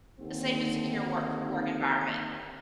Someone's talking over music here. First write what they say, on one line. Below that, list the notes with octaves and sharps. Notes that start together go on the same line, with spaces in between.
a safe and secure work f work environment,
D#2 D3 C4